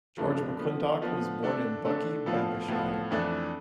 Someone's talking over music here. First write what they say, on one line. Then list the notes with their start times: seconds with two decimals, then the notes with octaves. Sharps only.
George McIntosh was born in Buckie, Banffshire.
0.17 G2 F3 A3 D4
0.59 D3 F3 B3
1.02 D3 F3 B3
1.43 D3 A3 D4 A4
1.85 D3 A3 D4 A4
2.26 A2 F3 B3 F4 A4
2.68 A2 F3 B3 F4 A4
3.11 F2 E3 A3 D4 A4